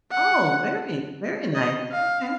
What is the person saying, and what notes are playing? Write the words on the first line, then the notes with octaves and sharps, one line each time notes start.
Oh, very very nice, okay.
F#5
D#5
F5